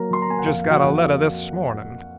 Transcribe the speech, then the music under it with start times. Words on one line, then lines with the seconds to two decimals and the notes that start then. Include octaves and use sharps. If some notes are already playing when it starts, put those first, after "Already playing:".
'Just got a letter this morning.'
Already playing: F#3 A#3 A#4 A#5
0.10 F#3 C6
0.22 A#5
0.28 A#3 G#5
0.39 F#5
0.46 F2 F5
0.65 F2
0.70 F#4 F#5
0.83 F2
0.95 F5